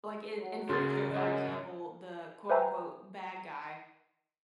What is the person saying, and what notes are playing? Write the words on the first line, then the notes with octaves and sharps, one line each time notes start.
like in in Freak Show, for example, the quote, unquote ,"Bad guy,"
F#3
F#2 C#3 C6 A6
F#2 F#3 G#3 D#5 F#5
B4 C5 E5 G5 G#5 A#5